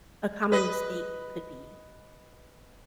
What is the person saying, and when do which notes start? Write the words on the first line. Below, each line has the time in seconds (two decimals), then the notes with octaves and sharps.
a common mistake could be
0.52 B4 D#5